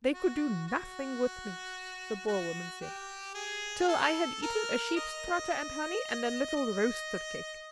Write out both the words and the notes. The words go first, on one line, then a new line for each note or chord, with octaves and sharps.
They could do nothing with me," the Boer-woman said, "till I had eaten a sheep's trotter, and honey, and a little roaster-cake.
F#4
F#4
F#4
G4
G#4
A4
A#4
D#5
D#5